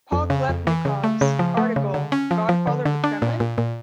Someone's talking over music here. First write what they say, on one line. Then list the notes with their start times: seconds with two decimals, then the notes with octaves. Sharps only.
Paul Klebnikov's article Godfather of the Kremlin?
0.12 F2
0.30 C#3
0.49 F2
0.67 E3
0.85 C#3
1.04 A3
1.21 C#3
1.39 F3
1.57 A3
1.76 C#3
1.94 D3
2.12 C#4
2.31 F3
2.49 F3
2.67 D3
2.85 D3
3.04 D4
3.22 A#2
3.40 A#2
3.58 A#2